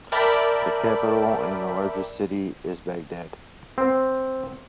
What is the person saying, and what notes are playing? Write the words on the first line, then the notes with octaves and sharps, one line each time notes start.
The capital, and largest city, is Baghdad.
A#4 D5 E5 G5 A5 B5
C4